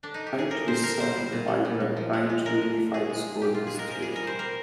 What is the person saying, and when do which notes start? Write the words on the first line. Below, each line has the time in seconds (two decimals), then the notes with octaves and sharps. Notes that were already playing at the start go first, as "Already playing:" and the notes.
Page is served by the Page Unified School District.
0.03 D3 D4
0.14 D3 D#4
0.27 G4
0.35 D3 G#4
0.50 D3 A#4
0.67 D3 C5
0.83 D3 A#4
0.99 G3 C5
1.15 G3
1.32 A#2
1.48 G3
1.65 A#2
1.80 A#2
1.97 F3
2.13 G#3
2.30 G#3
2.45 G#3 A#4
2.61 D3
2.77 D3
2.94 A#2 G#4
3.10 G#3
3.27 A#2
3.42 A#2 G4
3.54 A#2 F4
3.67 G#4
3.75 G#3 A#4
3.90 C3 A#4
4.02 G3 G#4
4.16 A#4
4.23 G3 C5
4.39 G3 A#4